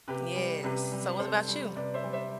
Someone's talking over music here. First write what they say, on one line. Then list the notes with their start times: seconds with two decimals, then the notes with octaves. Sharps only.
Yes, so what about you?
0.08 C3 G4 B4
0.36 G3
0.64 C3 G4 B4
0.92 G3
1.19 C3 A4 C5
1.48 G3
1.76 C3 B4 D5
1.94 C5 E5
2.04 G3
2.13 C5 E5